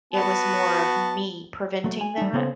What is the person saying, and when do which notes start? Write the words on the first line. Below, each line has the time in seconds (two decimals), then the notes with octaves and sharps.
it was more of me preventing that
0.13 B3 F#4 A5
1.84 F#3 A3
2.01 G#5
2.18 G3 D#4
2.33 C#3 B3 A4 C5 F5